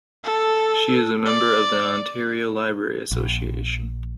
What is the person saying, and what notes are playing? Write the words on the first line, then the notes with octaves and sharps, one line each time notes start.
She is a member of the Ontario Library Association.
A4
D5
A#1